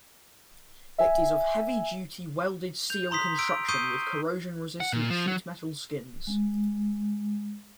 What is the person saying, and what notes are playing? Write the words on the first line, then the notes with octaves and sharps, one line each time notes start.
It is of heavy-duty welded steel construction with corrosion-resistant sheet metal skins.
E5 G#5
G6 F7
A#5 C6 D#6 B6
E6 D7
C#6 D#6 G6 C7 D#7 G7
F#5
A#2
F3
F#3
G#3